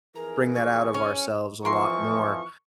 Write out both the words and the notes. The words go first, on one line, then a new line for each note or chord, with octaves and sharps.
bring that out of ourselves a lot more,
F2 E3 G#4 A#4 A#5
C#6
C#4
F2 E3 F3 A#4 C6 C#6